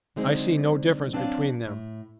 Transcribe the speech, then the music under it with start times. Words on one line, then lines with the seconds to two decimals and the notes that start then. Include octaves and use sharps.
I see no difference between them.
0.16 D3 F#3 G#3 C4 D#4 G#4
1.13 F#3 C4 D4 B4 C#5 F5
1.66 A2